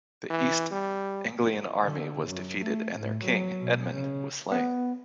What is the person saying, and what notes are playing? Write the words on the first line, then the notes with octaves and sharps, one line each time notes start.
The East Anglian army was defeated and their king, Edmund, was slain.
E3
G3
D3
F#2
A3
A2
F#3
B2
C#3
B3